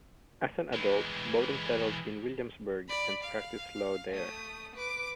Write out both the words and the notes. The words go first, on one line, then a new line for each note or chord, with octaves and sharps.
As an adult, Bowden settled in Williamsburg and practiced law there.
E3 G#3
D5 B5
F5
A3 D#6
B4 D6